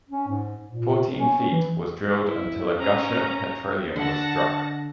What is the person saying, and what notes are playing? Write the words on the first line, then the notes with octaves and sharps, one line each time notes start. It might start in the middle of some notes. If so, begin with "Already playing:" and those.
Fourteen feet was drilled until a gusher of petroleum was struck.
C#4
G#2
A#2
C#4
E3
E4
C#4 A#5
D3 F#5 A5 A#6